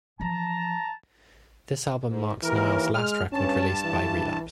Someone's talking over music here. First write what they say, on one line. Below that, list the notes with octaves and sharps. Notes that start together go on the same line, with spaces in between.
This album marks Nile's last record released by Relapse.
E3 F3 A5 A#5
G#2
D#2 E3 A#4
G#3 F6
G2 C#4 A5
E3